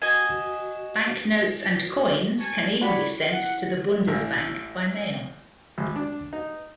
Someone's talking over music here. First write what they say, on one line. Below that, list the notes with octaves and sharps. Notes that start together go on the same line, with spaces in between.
Banknotes and coins can even be sent to the Bundesbank by mail.
F#4 D#5 G#5
G#5 A5 C#6
F#4 G4 C#5 D5 B5
F#5
A1
G#1
D4
D#4